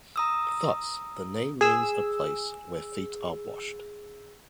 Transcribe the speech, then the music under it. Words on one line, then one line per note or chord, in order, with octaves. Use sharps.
Thus the name means A place where feet are washed.
A#5 D#6 E6
G#4 E6